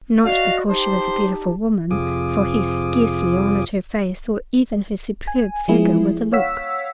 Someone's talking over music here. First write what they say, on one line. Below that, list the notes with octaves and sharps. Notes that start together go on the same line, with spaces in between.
Not because she was a beautiful woman, for he scarcely honored her face or even her superb figure with a look.
F#4 D5 D#5 F5
D#4 G4 C5 A5
F2 C3 F4 G#4 D6 D#6
G#5
F3 G#3 B3 E4 G#4
C#5 F5 F#5 E6 B6